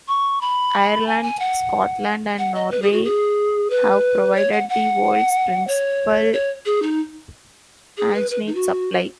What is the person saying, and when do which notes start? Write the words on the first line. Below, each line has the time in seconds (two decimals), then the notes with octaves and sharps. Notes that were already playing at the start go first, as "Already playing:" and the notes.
Ireland, Scotland and Norway have provided the world's principal alginate supply.
0.08 C#6
0.41 B5
1.07 G#5
1.23 G#5
1.40 F#5
2.39 F#5
2.55 D#5
2.71 B4
2.82 G#4
2.93 F#4
3.04 G#4
3.70 B4
4.36 C#5
4.52 F#5
4.69 F#5
5.67 C#5
6.33 C#5
6.66 G#4
6.82 D#4
7.97 G#4
8.14 B4
8.31 B4
8.47 D#4
8.55 F#4